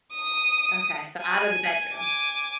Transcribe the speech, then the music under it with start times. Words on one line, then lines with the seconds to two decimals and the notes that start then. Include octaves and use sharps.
Okay, so out of the bedroom?
0.12 D#6
1.20 G#5
1.93 G#5 D6